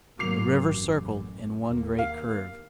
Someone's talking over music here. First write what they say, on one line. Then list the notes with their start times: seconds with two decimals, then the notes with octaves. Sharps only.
The river circled in one great curve.
0.19 G#1 F#3 A#3 D6 C7 F7
0.64 A1 F#2
1.67 D#2 A#3
1.99 F5